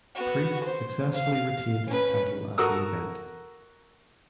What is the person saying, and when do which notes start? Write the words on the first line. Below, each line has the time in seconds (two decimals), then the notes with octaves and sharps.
Priest successfully retained his title at the event.
0.15 B3 F#4
0.64 C5
1.14 F5
1.87 C#4 B4
2.58 F#4 A4 A#4 D#6 E6